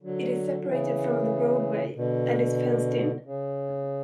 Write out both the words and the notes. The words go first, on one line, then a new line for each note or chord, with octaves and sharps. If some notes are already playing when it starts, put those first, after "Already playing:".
It is separated from the roadway and is fenced in.
D3 F#3
F#3
C#3 E3
B2 D3
C#3